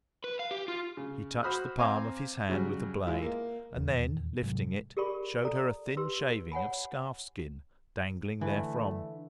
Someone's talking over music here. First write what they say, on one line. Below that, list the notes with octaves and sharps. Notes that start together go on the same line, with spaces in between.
He touched the palm of his hand with the blade, and then, lifting it, showed her a thin shaving of scarf-skin dangling therefrom.
B4
F5
G4
F4
C#3
F#4 C5 B5 D#6 F6 F#6
C4 F5 G#5 A#5 D6
C#3 F#3 G3
G#3 E4 F4
A#3
D#1 G#1 E2
G#2 C3 F#3 G#3
G4 G#4 A#4 D5 B5 C#6
A4 D5 A#5
G4 B4 C6 E6
C#5 F#5 G#5 B5
D3 E3 A3